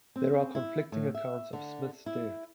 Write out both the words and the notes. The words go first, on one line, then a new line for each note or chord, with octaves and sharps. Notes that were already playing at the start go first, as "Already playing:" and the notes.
There are conflicting accounts of Smith's death.
C4
E4
A2
E5
D3
E4